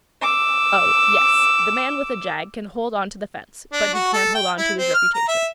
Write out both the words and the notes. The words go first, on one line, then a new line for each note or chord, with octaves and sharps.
Oh, yes, the man with a jag can hold on to the fence, but he can't hold on to his reputation.
D6 E6
D4
F#4
A4
G5
E4
C4
F6
A#5
E5